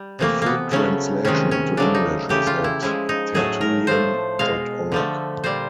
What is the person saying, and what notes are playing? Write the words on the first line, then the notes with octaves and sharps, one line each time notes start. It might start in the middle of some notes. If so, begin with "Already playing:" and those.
A full translation into English is at Tertullian dot org.
Already playing: G3
C3 E3 A3 A#3
A#3 B3
C#3 F#3 A3 C#4
C3 D#3 G#3 C#4
C#4
C#3 F#3 A3 D4
D#4
C#3 E3 A3 G4
F4
E4
C#3 F3 G#3 E4
D#4
A2 F#3 A3 G#4
A#4
A2 F3 A3 C5
B2 G#3 F5
D3 F3 A3
A#2 G3 C5